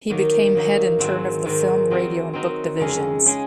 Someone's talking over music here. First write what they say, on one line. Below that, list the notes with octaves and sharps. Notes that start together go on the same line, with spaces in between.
He became head in turn of the Film, Radio and Book divisions.
D#3 F#3 A#3 D#4
D#3 F#3 A#3 D#4
G#2 D#3 F#3 C4 F#4
G#2 D#3 F#3 C4 F#4
F#3 C4 D#4 F#4 A#4
F#3 C4 D#4 F#4 A#4
F2 C#3 G#3 C#4 G#4
C#3 G#3 C#4 G#4